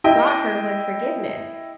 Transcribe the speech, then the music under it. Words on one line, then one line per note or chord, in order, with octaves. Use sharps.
got her was forgiveness.
E4 D#5 G5